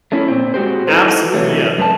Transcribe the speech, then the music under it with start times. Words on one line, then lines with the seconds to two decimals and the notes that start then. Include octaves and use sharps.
Absolutely, yeah.
0.12 A3 C#4 E4
0.28 A#2 C4
0.54 G#3 F#4 G4 C5
0.87 D#4 E4 A4 B4 C5
1.34 C3 E3 F#3 A3
1.78 F#2 A3 B4 A5